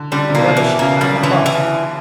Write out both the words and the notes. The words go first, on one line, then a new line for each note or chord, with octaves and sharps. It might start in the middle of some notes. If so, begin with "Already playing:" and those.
"And the other ship--how fast is it?"
Already playing: D3
D3 G3
C3
B2 A#3
B2 E3
C#3 A#3
C#3 G3
C#3
D3 E3
E3